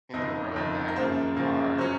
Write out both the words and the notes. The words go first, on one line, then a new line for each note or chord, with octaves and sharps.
in the world that are
F#1 F2 D#3 D#5
F#1 F2 D#3
A#4
F#2 C#3 F3 A#3 C5
F#2 C#3 F3 A#3
F#3 C#4 C5